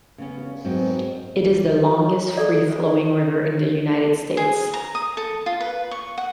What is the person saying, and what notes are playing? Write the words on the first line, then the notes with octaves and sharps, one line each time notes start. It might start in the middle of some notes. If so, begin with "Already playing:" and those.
It is the longest free flowing river in the United States.
C#3 B3 C#4
G#2 F#3 B3 C4
A4 D5
G#4
A#5
D#6
A4
F4
B4
C#6
F#5